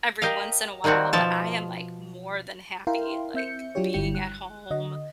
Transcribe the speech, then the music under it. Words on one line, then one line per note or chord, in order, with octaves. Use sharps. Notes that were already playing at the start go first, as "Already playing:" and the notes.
every once in a while, but I am, like, more than happy, like, being at home
G4 A#4 D#5 F5
D#3 G3 A#3 C4 F#4
B2 F3 E5 A5
E4 A#4 F5 G5 C6
C4 E5 G6 C#7
F#3 D4 F4 G4 C#5
G1 D3 G3 E4 G5 C#7
F#6
D3 F#4 D#5